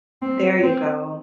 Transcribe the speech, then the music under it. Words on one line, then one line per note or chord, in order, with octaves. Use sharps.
There you go.
C4
C4